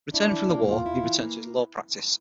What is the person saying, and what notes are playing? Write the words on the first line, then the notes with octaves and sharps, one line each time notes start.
Returning from the war, he returned to his law practice.
D4 E4
E3
A#3
E2 F4
E4
E3
A#3